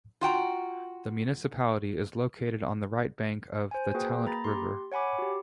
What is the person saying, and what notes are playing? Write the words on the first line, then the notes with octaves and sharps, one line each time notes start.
The municipality is located on the right bank of the Talent river.
F4 F#4 G5 A#5
C5 G#5
A#3 F#4 G#4 B4 G5
A#3 A#5 B5 A6
G4 C6
C#5 F#5 G#5 B5 D6
F#4 G4